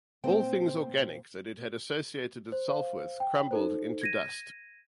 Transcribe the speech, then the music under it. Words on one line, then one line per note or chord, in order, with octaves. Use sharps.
All things organic that it had associated itself with crumpled into dust.
A#2 C4 C5 G5
C5
C5 F5
G5
D#4 A4 C5
G#6 A#6 D#7